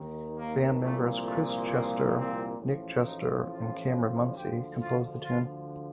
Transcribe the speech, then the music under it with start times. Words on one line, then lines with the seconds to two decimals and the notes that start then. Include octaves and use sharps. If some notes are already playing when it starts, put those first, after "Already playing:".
Band-members Chris Cester, Nic Cester, and Cameron Muncey composed the tune.
Already playing: D#2 D#3
0.38 A#3
0.81 C2 A#2 F3 A3
1.26 A3
1.70 A#3
2.15 C4
2.58 A1 A2 F3
3.03 D#4
3.48 F4
4.37 D2 D3 F3 G4
4.82 F4
5.25 F4